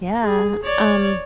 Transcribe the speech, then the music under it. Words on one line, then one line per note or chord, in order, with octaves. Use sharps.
Yeah, um,
G#4
C#5 D5